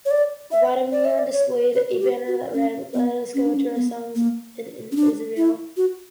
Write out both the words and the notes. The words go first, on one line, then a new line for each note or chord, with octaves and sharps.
Vladimir displayed a banner that read "Let us go to our son in Israel".
C#5
D5
E5
D5
E5
D5
C#5
B4
F#4
G4
F#4
C#4
B3
C#4
D4
C#4
B3
A#3
C#4
D4
E4
F#4